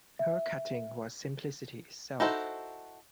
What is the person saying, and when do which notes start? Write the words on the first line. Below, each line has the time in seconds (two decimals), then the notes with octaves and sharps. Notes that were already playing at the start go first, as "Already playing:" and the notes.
Her cutting was simplicity itself.
0.19 E5
2.20 D#4 E4 F#4 A4 C5